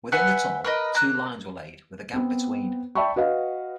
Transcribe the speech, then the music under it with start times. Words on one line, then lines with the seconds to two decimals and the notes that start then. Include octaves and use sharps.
Within the tunnel, two lines were laid with a gap between.
0.12 B4 E5 F#5 G#5
0.65 A#4 B4 D#5
0.95 A#3 A#5 F#6
2.13 B3 C4
2.95 D5 E5 G5 A5 B5 C#6
3.16 F#4 B4 D#5 F5 F#5